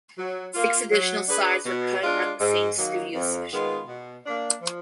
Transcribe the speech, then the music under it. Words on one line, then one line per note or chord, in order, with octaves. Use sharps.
Six additional sides were cut at the same studio session.
F#3
A#3 F4
F#3
D4 G#4 B4
B2
G#3 D4 F4
G#2
D#3 F#3 A#3
F2
D#3 G#3 B3 F4
B2
A#3 D4
F3